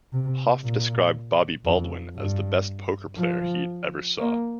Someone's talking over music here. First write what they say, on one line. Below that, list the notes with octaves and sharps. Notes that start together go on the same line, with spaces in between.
Hoff described Bobby Baldwin as the best poker player he ever saw.
C3
A#2
F2
G2
F3
A#3